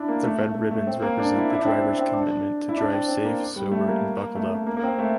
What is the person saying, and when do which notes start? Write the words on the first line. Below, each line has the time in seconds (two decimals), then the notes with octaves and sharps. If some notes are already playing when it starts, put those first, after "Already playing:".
The red ribbons represent the drivers' commitment to drive safe, sober and buckled up.
Already playing: D4 E4
0.08 A#3
0.24 A3
0.40 A3
0.55 A3
0.71 A3
0.87 C4
1.02 A#3
1.19 D4
1.35 E4
1.50 E4
1.59 D4
1.66 C4
1.83 C4
1.98 C4
2.13 D4
2.69 E4
2.77 D4
2.92 C4
3.08 C4
3.25 A#3
3.56 G3
3.71 A3
3.87 A#3
4.35 A3
4.51 A3
4.67 A#3
4.77 A#3
4.83 C4
4.99 A3